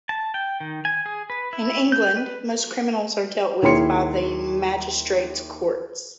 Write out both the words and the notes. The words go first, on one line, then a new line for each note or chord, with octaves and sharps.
In England, most criminals are dealt with by the Magistrates’ Courts.
A5
G5
D#3
G#5
G#4
B4
E4
G6
B4
D#2 E4 G#4 C6 C#7